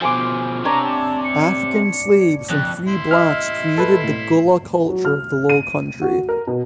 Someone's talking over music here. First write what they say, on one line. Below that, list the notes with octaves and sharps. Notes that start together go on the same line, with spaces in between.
African slaves and free blacks created the Gullah culture of the Lowcountry.
B2 F3 G#5 C6 D6
C3 D4 C#5 D5 A#5
A5
C#7
F2 F#6
E4 C6
D#5 E5 F6
A4 B4
A2
F#3
F6
D#7
F#4
A#4
B2